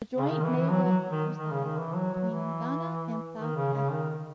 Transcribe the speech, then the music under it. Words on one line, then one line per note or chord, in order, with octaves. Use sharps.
A joint naval exercise between Ghana and South Africa.
C#3
D#3
E3
E3
F#3
F#3
D#3
D#3
C#3
D#3
E3
F#3
F#3
E3
D#3
C#3
C#3
D#3